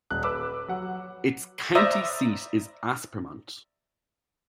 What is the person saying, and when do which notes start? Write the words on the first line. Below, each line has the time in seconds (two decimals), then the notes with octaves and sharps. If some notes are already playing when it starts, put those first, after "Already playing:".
Its county seat is Aspermont.
0.11 D#1 F#6
0.23 B4 D6 E6
0.68 F#3 F#5
1.75 C5 D5 E5 A#5 D#6